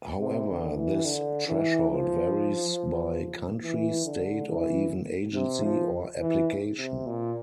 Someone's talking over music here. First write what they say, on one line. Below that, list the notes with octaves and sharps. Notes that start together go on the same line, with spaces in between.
However, this threshold varies by country, state, or even agency or application.
C3
D3
E3
D3
E3
F3
E3
D3
E3
C3
F3
E3
C3
A#2